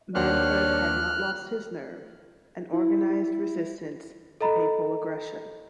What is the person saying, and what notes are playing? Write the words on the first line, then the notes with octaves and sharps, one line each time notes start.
Manfred had not lost his nerve, and organized resistance to papal aggression.
D#2 D4 C5 C#5 F#5 F6 F#6
E4
A4 D#5 A#5 B5